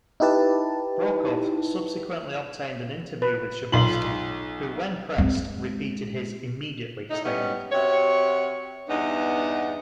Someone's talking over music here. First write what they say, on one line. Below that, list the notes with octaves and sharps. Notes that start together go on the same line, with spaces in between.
Brokaw subsequently obtained an interview with Schabowski who when pressed repeated his "immediately" statement.
D#4 E4 G4 B4 A5
B4
B1 F4 B5 C6 F#7
G#3 C4
A2 D#4
G3 B3 C#4 D#4 E4
C3 F#4 C#5
E2 G2 B3 D4 D#4